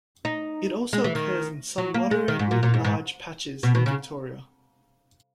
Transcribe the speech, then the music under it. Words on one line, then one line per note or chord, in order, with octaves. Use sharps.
It also occurs in some moderately large patches in Victoria.
D#4
G#3
E3
D#3
F#3
A#3
G#3
D#3
G#2
A#2
A#2
G#2
G#2
B2
B2
C#3